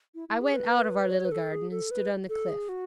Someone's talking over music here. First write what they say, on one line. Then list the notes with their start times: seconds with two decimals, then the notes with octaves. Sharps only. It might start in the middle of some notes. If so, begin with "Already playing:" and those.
I went out of our little garden, and stood on the cliff.
0.15 E4
0.29 E4
0.41 G#4
0.54 B4
1.10 D5
1.18 C#5
1.25 B4
1.32 A4
1.52 G#4
1.71 A4
1.91 B4
2.29 A4
2.49 G#4
2.69 F#4